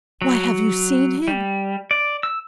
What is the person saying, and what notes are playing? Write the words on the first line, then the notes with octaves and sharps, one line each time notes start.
Why, have you seen him?
F#3
G3
D5
E6